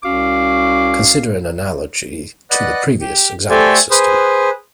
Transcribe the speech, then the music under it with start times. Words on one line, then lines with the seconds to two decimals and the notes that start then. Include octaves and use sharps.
Consider an analogy to the previous example system.
0.04 C2 C#4 F#4 F5 D6
2.51 B4 D5 D#5 F#5 F#6
3.01 G4
3.50 A3 G4 A4 C5 D5 G#5
3.91 G#4 B4 C5